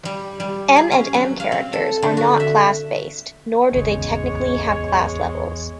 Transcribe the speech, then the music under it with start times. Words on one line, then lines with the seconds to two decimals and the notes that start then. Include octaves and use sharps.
"M and M" characters are not class-based nor do they technically have class levels.
0.05 G3
0.40 G3
0.76 G#4
0.91 C#4
1.14 F#3
1.40 F5
1.52 C4
1.73 A4
2.02 D3
2.17 F#4
2.40 E5
3.72 D1 G#1 E2 C#3 G#3 C#5